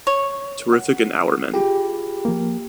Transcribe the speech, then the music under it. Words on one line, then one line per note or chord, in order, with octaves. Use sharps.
Terrific and Hourman.
C#5
F#5
F4 G4 G#4
F3 A#3